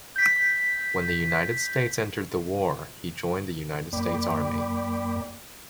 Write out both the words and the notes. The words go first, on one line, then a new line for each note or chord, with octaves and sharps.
When the United States entered the war he joined the United States Army.
G6 B6
F#2 A#3 D5 G5 B5 D6